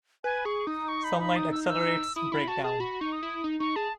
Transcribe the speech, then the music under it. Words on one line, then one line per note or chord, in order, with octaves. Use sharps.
Sunlight accelerates breakdown.
B4 G#5
G#4 C#6
D#4 D#6
C#6
B5
B5
D#6
E6
E6
E4 D#6
E4 B5
F#4 A5
G#4 A5
F#4 B5
D#4 C#6
D#6
E4
D#4
D#4 C#6
G#4 A5